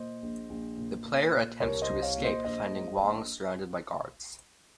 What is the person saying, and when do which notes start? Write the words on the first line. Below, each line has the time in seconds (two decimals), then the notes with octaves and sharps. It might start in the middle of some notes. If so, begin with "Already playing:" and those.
The player attempts to escape, finding Wong surrounded by guards.
Already playing: A#2 C5 D#5
0.22 A#1
0.50 A#1
0.77 A#2
1.05 A#2
1.33 A#2
1.60 C2 A#4 C#5
1.82 C5 D#5
1.89 C2
2.02 C#5 F5
2.17 A#2
2.24 C5 D#5
2.44 A#1 C5 D#5
2.73 G#3
3.01 A#1